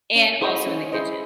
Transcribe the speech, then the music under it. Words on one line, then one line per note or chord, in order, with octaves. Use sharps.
and also in the kitchen.
C#4
E4 G#4 C5 D#5
C#4
E4 G#4 C5 D#5